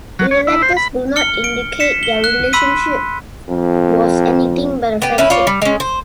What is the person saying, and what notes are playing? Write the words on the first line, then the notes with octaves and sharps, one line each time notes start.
Their letters do not indicate their relationship was anything but a friendship.
F#3
C#5
E4
C5
B5
F6 C#7 G7
D7
B6 C#7 E7
G7
F#6
B5 C6 E6 B6 D#7
F2
B3 G4
C#4 E4 B4
F4 C#5 D5
G3
G#3 C#4
C5